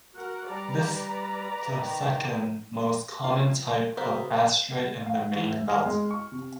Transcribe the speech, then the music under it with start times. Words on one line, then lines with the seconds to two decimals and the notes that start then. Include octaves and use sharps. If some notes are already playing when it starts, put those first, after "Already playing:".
This the second most common type of asteroid in the main belt.
0.16 F#4 A#4 F#5
0.50 G3 B4 D5 A#5
1.80 D#3
3.24 F4
3.97 C#3 F#3 A#3 B3 A#4 C5 E5
5.06 F5
5.35 E3
5.50 E5
5.68 F6
5.85 G#3
6.11 C#6
6.32 C3